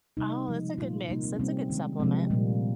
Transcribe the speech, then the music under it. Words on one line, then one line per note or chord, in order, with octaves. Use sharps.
Oh, that's a good mix. That's a good supplement.
C3 G3 A#3 D#4
C#3 F3 G#3
A#2 G3 A#3 F4
C3 G3 A#3 D#4
C4
C#4
C3 G3 A#3 C4
D#3 G#3
C3 F3 G#3 C4
A#2 G3 A#3